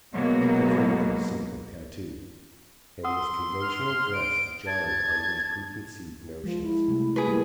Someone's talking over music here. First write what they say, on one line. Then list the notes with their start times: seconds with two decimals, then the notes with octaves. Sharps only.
He preferred them simply tattooed, and this conventional dress jarred on his preconceived notions.
0.12 B2 F#3 G#3 A#3 B3
3.04 F#5 C6 D#6 E6
3.61 F6
4.13 D7
4.67 A5 G#6
6.44 F3 G#3
6.63 E4
6.88 C3 G3 A3
7.16 G#4 B4
7.27 G3 A#3 E4 G4